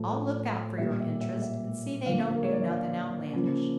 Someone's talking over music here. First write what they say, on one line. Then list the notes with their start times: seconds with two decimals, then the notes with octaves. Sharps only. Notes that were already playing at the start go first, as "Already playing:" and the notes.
I'll look out for your interest and see they don't do nothing outlandish.
Already playing: A2 F3 A3
0.78 A#2 G3 A#3 E5
1.00 E5
1.21 E5
1.42 E5
2.06 D3 F3 A#3 F5
2.35 A#4
2.43 C#5
2.52 D5
2.62 E5
2.70 F5
3.33 C#3 F3 A#3